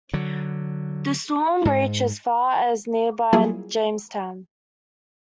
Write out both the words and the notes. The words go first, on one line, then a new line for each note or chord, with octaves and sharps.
The storm reached as far as nearby Jamestown.
D3 F#3
G#2
F#3 G3 A#3 E4 F4 G#4